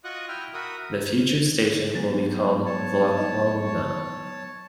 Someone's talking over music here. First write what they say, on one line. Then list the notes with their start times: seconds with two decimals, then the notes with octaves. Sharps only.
The future station will be called Volkhonka.
0.04 F4 F#4 D#5 C#6 D#6 F#6
0.28 E4 E5 G5 F6
0.54 F#4 A#4 E5 B5 D#6
1.95 F#3 B3 G#4 A6
2.66 C#5 A5
3.17 D#4 D#5